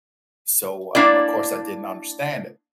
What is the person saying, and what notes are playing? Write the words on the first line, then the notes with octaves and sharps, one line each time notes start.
So, um, of course I didn't understand it.
A#3 D4 E4 D5